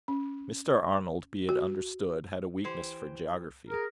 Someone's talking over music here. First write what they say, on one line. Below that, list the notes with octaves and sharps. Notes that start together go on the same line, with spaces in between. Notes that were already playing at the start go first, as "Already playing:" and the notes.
Mr. Arnold, be it understood, had a weakness for geography.
C#4
F#4
E3 G4 C5
G#4 A#4